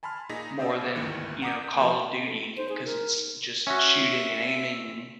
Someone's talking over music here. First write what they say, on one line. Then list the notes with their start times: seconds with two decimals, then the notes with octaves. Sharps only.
more than, you know, Call of Duty, 'cause it's just shooting and aiming and
0.03 G#5 A5 B5 C6 F6
0.29 A#2 D#4 G#4 D#6 A#6 B6
0.59 G4 C5 D5 E5 D#6 E6
0.95 G#1 D2 G2 D#3 E3 C#7
1.42 F#5 A#5 D6 D#6 G6
1.77 F3 A#3
2.26 A4
2.57 D#4 C5
2.69 G#4
2.85 A#4
3.67 C#4 F#4 E5